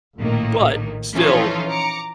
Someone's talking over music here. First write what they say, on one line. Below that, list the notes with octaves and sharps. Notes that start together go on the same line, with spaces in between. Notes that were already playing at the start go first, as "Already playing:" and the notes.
but still,
A#1 A2 D#3 A#3
E3 F3 C#4 D#4 F4 A4
A#5 D6 C#7